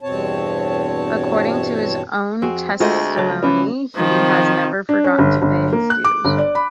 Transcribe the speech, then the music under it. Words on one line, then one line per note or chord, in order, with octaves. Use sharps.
According to his own testimony, he has never forgotten to pay his dues.
E2 G2 B2 C4 C#5 A5
F2 C4 F#4 G#4
D2 G#3 A3 F4 F#4 C5
C#2 F#3 C#5 A5
E3 C#4
C3 D#3 F3 C4
D4
C#4
G1
G1
A#3
F#6
D6
G1
D5
B5